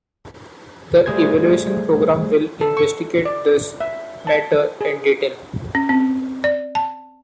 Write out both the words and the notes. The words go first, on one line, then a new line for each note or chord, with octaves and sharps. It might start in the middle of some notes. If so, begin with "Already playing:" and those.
The evaluation program will investigate this matter in detail.
G3 A3 G#4 C5 G#6
A4
C#6
D5
E5
A5
G#4
C#4
C4
D5
A5